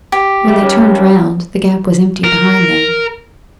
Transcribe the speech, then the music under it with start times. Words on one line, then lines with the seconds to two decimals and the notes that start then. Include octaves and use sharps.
When they turned round The Gap was empty behind them.
0.12 G4
0.47 G3 A3
0.62 G3 C#4
2.24 A#4